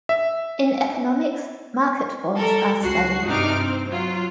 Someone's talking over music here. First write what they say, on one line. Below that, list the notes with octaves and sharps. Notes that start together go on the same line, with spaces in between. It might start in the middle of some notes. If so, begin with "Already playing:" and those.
In economics, market forms are studied.
E5
G3 A4 A#4
C#2 F#4 C7
G2 C3 D4 D#4 D6 F6
C4
F#3 F4